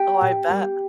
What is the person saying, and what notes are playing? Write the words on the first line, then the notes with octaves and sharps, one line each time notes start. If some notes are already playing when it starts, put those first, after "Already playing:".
Oh, I bet.
Already playing: G4 G5
A#2
G3 A#3